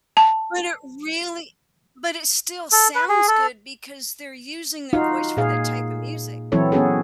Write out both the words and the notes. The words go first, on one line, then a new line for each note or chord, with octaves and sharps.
but it really but it still sounds good because they're using their voice for that type of music.
A5
A4
B4
G#4
A4
D#4 F4 F#4 F5
A#2 G#4 F5
E3 F#3 C4 E4 A4 C#5
B3 C#4 F#4 G#4 A4